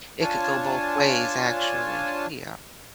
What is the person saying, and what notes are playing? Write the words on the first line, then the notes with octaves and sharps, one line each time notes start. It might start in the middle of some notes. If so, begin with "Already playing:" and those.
it could go both ways actually. Yeah.
D4 F4 C#5 G#5 A5